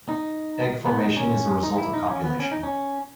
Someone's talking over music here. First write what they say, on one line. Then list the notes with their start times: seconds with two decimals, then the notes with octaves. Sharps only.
Egg formation is a result of copulation.
0.09 D#4
0.86 B3
1.01 D#4
1.17 C#4
1.63 D#4
1.78 E4
1.94 D#4
2.09 C#4
2.24 B3
2.40 C#4
2.52 D#4
2.63 C#4